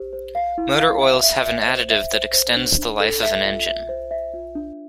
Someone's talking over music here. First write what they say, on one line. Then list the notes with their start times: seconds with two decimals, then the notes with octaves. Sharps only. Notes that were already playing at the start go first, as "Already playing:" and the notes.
Motor oils have an additive that extends the life of an Engine.
Already playing: G4 C5
0.13 C5
0.35 F5
0.58 E4
0.79 F5
1.01 E5
1.23 E5
1.46 E5
1.68 C5
1.90 E5
2.12 C5
2.34 C5
2.56 D4
2.78 D4
3.00 A4
3.23 E5
3.45 F4
3.67 E5
3.89 C5
4.11 E5
4.34 F4
4.55 D4